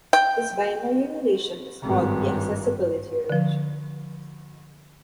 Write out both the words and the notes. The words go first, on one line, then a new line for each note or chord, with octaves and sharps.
This binary relation is called the "accessibility relation".
G5
G#1 G2
D3 F3